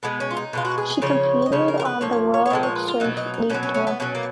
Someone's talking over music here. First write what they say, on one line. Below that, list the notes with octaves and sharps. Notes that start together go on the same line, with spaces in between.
She competed on the World Surf League Tour.
B2 G#3 B3
C#4
F4
D#4
B2 G#3 F4
F#4
G#4
G#4
C#3 F3 C#5
D#5
C#3 F3 C#5
A#4
A#4
B4
A#2 F3 C#5
C#5
C#5
A#2 F3 G#3 D#5
C#5
B4
F4
B2 F#3 D#4
D#4
D#4
B2 F#3 C#4
C#4
C#4
B3
B2 F#3 C#4
A#3